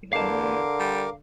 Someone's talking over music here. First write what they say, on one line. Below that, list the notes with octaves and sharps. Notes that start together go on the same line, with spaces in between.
I believe.
E2 D3 A#4 F5 A5 D6
G3